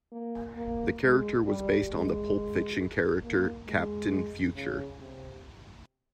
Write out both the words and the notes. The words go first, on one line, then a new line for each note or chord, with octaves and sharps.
The character was based on the pulp fiction character Captain Future.
A#3
A#3
G#3
G3
G#3
A#3
G#3
C#3
C3